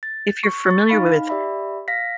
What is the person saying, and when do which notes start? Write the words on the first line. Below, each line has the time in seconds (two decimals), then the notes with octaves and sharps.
If you're familiar with
0.03 A6
0.44 C#6
0.67 C#6 A6
0.89 D#4 F5 B5
1.29 G4 D5 E5 B5
1.88 F5 A#6 B6